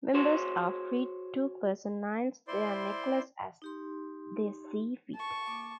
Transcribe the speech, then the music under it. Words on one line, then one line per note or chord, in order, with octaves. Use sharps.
Members are free to personalize their necklace as they see fit.
F#4 G#4 C5 C#5
E4 C5 D5 C6
D#4 G4 C6
A5 C#6
A#3 D6